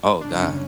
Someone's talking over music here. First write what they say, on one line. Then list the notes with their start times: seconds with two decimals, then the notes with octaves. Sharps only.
Oh god.
0.21 G1 F#2 C#3 D4
0.41 C#4